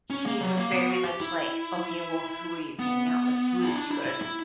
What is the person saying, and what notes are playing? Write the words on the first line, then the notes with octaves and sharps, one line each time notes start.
he was very much, like, "Okay, well, who are you hanging out with? Who did you go to"
C#4
A#3
F#3
A#3
B3
F#4
G4
E4
B3
E4
D4
E4
E4
E4